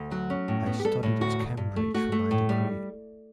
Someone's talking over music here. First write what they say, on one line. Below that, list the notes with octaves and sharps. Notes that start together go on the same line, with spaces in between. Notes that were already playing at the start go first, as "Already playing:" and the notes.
I studied at Cambridge for my degree.
Already playing: D2
F#3 F#4
C#4
A2
B3
G4
G3 A4
A2
D2 F#4
D2
G2
A3
A3 F#4
A3
A2
G3